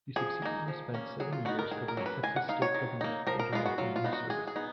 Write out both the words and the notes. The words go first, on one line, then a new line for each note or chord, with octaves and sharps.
He subsequently spent seven years covering Texas state government for the International News Service.
F3 G#4
A#3 D#4
F3
A#3 C#4
F#3 G#4
F4
B3 D#4 F#4
A#4
D#3 G#4
A#4
F#3 A#3 C#4
B4
G#3 G#5
F#5
D#4 F5
C#5
D#3
A#3 D#4
F3 A#4
A#4
G#3 B3 F4
F#4
F#3 F4
F4
B3 D#4
F#4
G#3 G#4
G#4
B3 D#4